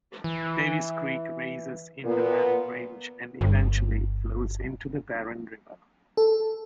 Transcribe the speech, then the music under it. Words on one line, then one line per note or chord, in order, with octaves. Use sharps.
Davies Creek raises in the Lamb Range and eventually flows into the Barron River.
E3
A#2 B3
G1
A4